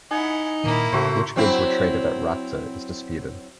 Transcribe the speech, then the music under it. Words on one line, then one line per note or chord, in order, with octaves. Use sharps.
Which goods were traded at Rhapta is disputed.
D#4 E4 F#5 G#5
A#2 D#3 A#3 E4
A2 C#3 A3 F#4 C5
F#3 C4 E4